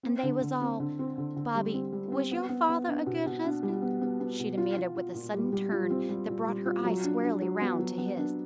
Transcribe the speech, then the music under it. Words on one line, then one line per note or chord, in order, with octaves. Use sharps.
"And they was all---- Bobby, was your father a good husband?" she demanded with a sudden turn that brought her eyes squarely round to his.
C4
D3
D3
C4
D3
C4
D3
D3
G3
C4
G3
C4
B3
B3
B3
D4
B2
B2
D4
G3
B3
B3
B3
B2
F4
F4
F4
A#2
G3
G3
F4
C4
G3
A#2
G3
F4
F#3
D4
D4
F#3
B3
F#3
B3
D4